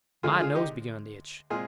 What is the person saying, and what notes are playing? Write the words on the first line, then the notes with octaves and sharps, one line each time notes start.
My nose begun to itch.
D2 D3 G#3 F4 G#4
F4 G#4
D#4 G4
A#2 G#3 C4 F4 G#4